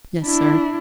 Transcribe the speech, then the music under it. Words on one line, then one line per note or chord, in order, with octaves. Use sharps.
"Yes, sir."
D4 E4